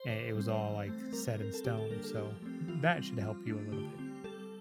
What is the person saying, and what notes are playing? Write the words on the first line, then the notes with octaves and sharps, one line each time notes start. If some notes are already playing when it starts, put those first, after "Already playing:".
i it was all, like, set in stone, so that should help you a little bit.
Already playing: C5
D3
G3 C4
E3
A3 C4
G3 A#4
C4 A#4
A4
D3 G4
A4
G3 A#3 D4 A#4
A4
F3 G4
A3 C4
E3 F4
G3 C4
F3
A3 D4
D3 G4
G3 C4
G3 A4